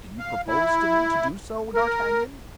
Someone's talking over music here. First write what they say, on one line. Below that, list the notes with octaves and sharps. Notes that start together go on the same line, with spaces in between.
"Do you propose to me to do so, D'Artagnan?"
F5
E4
A#4